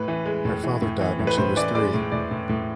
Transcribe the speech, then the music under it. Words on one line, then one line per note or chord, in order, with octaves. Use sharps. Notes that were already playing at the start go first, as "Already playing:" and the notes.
Her father died when she was three.
Already playing: A2 B4
E3
G#3
A2
E3
A2
E3
A2
B4
A2 C5
E3 D5
G#3 D5
A2
A2 D5
A2
A2